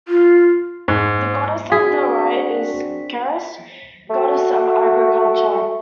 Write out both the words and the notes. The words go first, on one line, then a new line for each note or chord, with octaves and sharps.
The goddess on the right is Ceres, goddess of agriculture.
F4
G#2
C4 D4 F#4 G#4 B6
A3 F#4